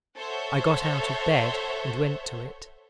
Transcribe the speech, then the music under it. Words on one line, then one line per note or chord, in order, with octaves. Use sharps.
I got out of bed and went to it.
A4 C5 C#5 E5 F#5